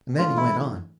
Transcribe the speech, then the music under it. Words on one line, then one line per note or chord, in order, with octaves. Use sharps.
And then he went on.
G#2 E3 A3 D4 F4
E4